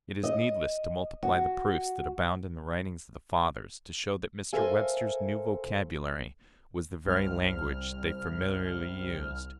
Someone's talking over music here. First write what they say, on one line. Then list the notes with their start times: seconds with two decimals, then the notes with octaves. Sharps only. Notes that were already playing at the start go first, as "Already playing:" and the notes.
It is needless to multiply the proofs that abound in the writings of the "fathers" to show that Mr. Webster's "new vocabulary" was the very language they familiarly used.
0.23 D#5
1.23 F#4
4.53 A4 A#4 C5 E5 F5 G#5
7.05 C2 F6